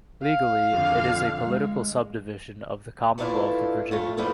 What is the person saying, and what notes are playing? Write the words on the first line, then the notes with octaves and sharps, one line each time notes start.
Legally, it is a political subdivision of the Commonwealth of Virginia.
F5
F2 D3
G#3
E3 A3 B3 D4 E4 F4
F2 A3 F4
F3 G3 A3 B3 E4